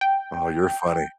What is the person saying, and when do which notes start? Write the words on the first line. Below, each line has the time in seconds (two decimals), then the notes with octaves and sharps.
Oh, you're funny.
0.01 G5